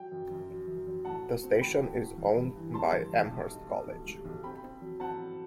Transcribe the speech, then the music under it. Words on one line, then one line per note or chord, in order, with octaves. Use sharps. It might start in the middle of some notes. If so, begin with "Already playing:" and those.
The station is owned by Amherst College.
Already playing: F#3 G5
F#2
F#2
F#3
F#2
F#3
A2 F#5 A5
A2
C4
A2 G5 B5
A2
A2
G2
G2
E3
G3 A5 C6
G2
G2
B1
D#4
A2
B1
G3
B1
C4 G5 B5
C4
F#3
C4 F#5 A5
F#3